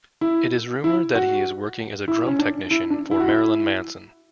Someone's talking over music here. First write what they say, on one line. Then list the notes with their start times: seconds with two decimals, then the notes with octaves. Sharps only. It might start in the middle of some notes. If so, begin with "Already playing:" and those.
It is rumored that he is working as a drum technician for Marilyn Manson.
0.21 E4
0.84 E4
1.15 F#4
2.08 E4
2.27 C#4
2.39 D4
2.71 E4
2.90 D4
3.11 E4
3.20 F#4
3.28 E4